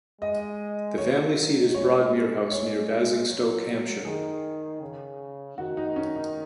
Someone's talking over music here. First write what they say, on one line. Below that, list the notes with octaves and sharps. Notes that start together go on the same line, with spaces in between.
The family seat is Broadmere House, near Basingstoke, Hampshire.
G#3 D#5
D#3 C#5
F#3
G#3 C#5
G#3 C#5
F#3
D#3 G#4
C#3
D#3 F#4
D#4
C#4
D#4